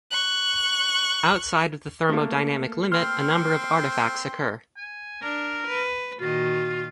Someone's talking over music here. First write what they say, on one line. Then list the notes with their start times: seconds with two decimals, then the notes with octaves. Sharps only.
Outside of the thermodynamic limit, a number of artifacts occur.
0.11 C#6 F#6
2.09 A3 A#3
2.92 C4 C6 F6
4.77 G#5
5.22 D4 A#4
5.68 B4
6.20 A#2 D#3 F4 F#4